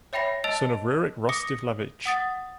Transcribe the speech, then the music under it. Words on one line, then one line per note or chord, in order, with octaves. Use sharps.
Son of Rurik Rostislavich.
C#5 E5 G5 B5 A#6 C7
D#5 A5 E6 A6 F7
D6 D#6 A#6 C#7
F#5 D#6 A6